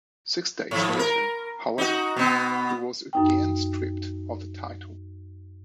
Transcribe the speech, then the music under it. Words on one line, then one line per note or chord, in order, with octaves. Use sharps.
Six days later, however, he was again stripped of the title.
G#2 F3
A#4
D#4 F#4
B2 B3
F#2 D#4 G5